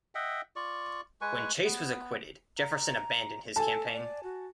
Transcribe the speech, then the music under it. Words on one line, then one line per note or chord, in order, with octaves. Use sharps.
When Chase was acquitted, Jefferson abandoned his campaign.
D#5 E5 F#5 G5
F4 D5 C#6
G#3 B4 G#5 C#6
B3
A#5
A4 G#5 A5
D5
F#4